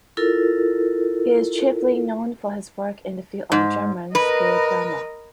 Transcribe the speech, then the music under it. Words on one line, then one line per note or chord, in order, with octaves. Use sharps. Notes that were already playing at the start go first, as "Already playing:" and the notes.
He is chiefly known for his work in the field of German school grammar.
E4 F4 A4 A#4
G#2
A#4 B4 D#5